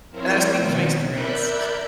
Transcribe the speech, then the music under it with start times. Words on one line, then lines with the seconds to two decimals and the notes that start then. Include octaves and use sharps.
and I was speaking from experience.
0.10 F3 C4 E4 A#4 C5 C#5
0.59 B2 D#3
1.09 A#4 D5 E5 B5 F#6 G6